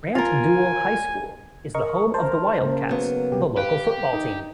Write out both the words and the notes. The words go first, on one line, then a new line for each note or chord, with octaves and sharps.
Grant-Deuel High School is the home of the Wildcats, the local football team.
F4 A#4 G#5
A#4 D#5 C#6
A#4 C5 A5
C#3 A#3
F#3 B3
C3 G3 G4
G4 B4 F5
D#4